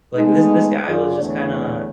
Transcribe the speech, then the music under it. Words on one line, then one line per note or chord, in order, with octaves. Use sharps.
like, this this guy was just kinda
G#3 A3 B3 D#4
F#2 F4 G#4 D5
E2 D3 A3 D4 C#5